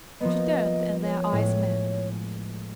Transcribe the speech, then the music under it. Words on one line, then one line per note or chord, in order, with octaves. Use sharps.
She turned and their eyes met.
F3 A#3 B3 D#5
C#5
A2 G#3